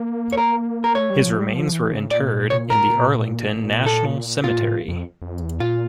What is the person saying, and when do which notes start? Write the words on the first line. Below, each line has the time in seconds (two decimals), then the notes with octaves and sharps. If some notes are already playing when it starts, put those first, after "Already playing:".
His remains were interred in the Arlington National Cemetery.
Already playing: A#3
0.33 C#5
0.37 A#4
0.84 A#4
0.95 A3 C#5
1.10 G3
1.25 F3
1.39 G3
1.53 F3
1.73 E3
1.92 C#3
2.07 A2
2.11 A#2 D5
2.50 C#5
2.70 A#4
3.86 A4
4.44 A#2 F4
4.59 A2
4.88 F2
5.22 F2
5.41 E2
5.60 A#2 F4